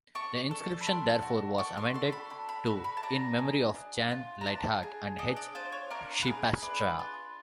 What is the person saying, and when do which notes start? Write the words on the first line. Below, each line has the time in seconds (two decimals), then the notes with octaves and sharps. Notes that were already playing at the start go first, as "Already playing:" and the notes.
The inscription therefore was amended to "In memory of Jan Ligthart and H. Scheepstra".
0.15 D4 C#6
0.51 A4
0.81 B5
0.87 D4 C6
1.22 F#4
1.58 D4 C#6
1.77 C6
1.94 A4 C6
2.12 B5
2.30 D4 B5
2.49 B5
2.66 F#4 B5
2.84 B5
2.97 A5
3.03 D4 A#5
3.38 G#4
3.75 D4
4.11 F4
4.41 A#5
4.47 D4 A5
4.83 G#4
5.19 D4 D#5
5.36 D5
5.55 F4 C5
5.72 C#5
5.90 D4 A#4
6.22 B4
6.27 G#4 A#4
6.62 D4 B4
6.99 F4